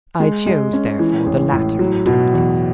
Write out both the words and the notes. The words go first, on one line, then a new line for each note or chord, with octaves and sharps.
I chose, therefore, the latter alternative.
G#3
G#3
C#4
E3
A1
A2
F#3
B2
E2